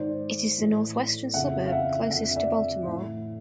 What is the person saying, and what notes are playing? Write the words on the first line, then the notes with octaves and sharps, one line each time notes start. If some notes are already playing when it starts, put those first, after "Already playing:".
It is the northwestern suburb closest to Baltimore.
Already playing: G#2 D#3 C5 D5
A2 E3
F2 C#3 E3 E5 F#5
F5
E5 F#5
F2 D3 E5 F#5
D5 E5
A2 E3